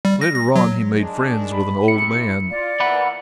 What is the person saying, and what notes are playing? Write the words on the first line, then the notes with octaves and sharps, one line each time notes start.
Later on he made friends with an old man.
G3
A#6
A#6
F#3
D#3 G#3 D4
B5
C3 E4 C#7
F4 D5
E3 A#3 F#5 B5